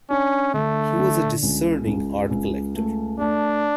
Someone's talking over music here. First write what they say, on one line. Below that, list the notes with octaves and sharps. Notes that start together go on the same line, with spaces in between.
He was a discerning art collector.
C#4 D4
D3 A3
D3
C#2
C#2
C#2
A3
A3 D4